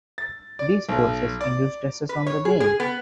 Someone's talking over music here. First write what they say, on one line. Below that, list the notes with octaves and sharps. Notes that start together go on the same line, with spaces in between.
These forces induce stresses on the beam.
A6
D5
B1
D5
B4
C#5
G#4
G#4
B3